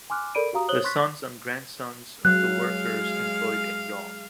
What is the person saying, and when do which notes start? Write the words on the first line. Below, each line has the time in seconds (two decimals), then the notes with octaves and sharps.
The sons and grandsons of the workers employed in Joh.
0.10 G#5 C6 D6 F6 F#6
0.35 A4 A#4 D5 B5 D7 D#7
0.53 F#4 G4 F5 A#5 D#6
0.68 C5 C#5 D#6 F#6 F#7 G7
0.84 C6 C#6 F#6 A6 B6
2.25 F#3 G#3 F5 F#6